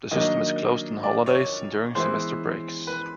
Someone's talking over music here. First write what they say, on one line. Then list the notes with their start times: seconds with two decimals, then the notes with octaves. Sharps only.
The system is closed on holidays and during semester breaks.
0.11 D#3 F#3 A#3 D4 D#5
1.03 D5
1.26 C#5
1.95 E3 G#3 B3 E4 C5
2.87 B4